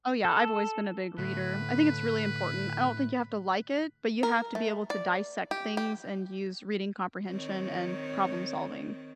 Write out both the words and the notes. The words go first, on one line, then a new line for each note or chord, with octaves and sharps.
Oh yeah, I've always been a big reader. I think it's really important. I don't think you have to like it, but you have to be able to dissect things and use reading comprehension and problem solving.
A4
A2 D3 B4
A#4
A3
D5
G4
G4
D#3 C4 C#5